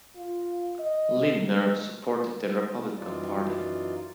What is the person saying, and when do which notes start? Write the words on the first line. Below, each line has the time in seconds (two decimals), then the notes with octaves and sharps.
Lindner supported the Republican Party.
0.16 F4
0.79 D#5
1.48 G#3
2.97 F#2 E3 D#4 F4 D5